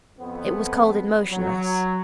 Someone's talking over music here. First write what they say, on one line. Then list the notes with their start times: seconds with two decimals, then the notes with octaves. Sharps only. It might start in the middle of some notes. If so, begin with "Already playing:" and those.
It was cold and motionless.
0.19 F2 B3
1.29 F#3